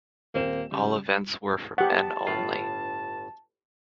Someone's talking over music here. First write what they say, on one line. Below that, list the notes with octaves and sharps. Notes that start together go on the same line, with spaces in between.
All events were for men only.
D#1 A#3 C4 E7
C#3 G3
B3 G4 F#5 A5
G1 A2 F4